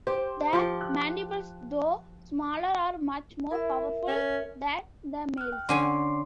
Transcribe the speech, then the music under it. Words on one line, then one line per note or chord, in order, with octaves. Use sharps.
The mandibles, though smaller, are much more powerful than the males'.
G4 C5
F3 G4
F#6
E4 A#4 E5
C#4
F6 F#6
G5
D3 C#4 G#5 C6 D6 C7